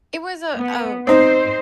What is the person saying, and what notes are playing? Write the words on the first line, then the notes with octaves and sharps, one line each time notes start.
It was a a
B3
C4 D#4 C5